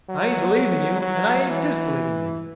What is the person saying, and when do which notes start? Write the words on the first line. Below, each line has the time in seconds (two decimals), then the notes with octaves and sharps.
I ain't believing you and I ain't disbelieving you.
0.09 F#3
1.01 F#3
1.48 E3